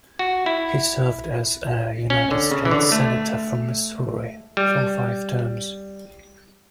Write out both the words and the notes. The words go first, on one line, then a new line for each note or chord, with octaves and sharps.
He served as a United States Senator from Missouri for five terms.
F#4
E4
C#4
D3
C#3
E3
D3
A3
G3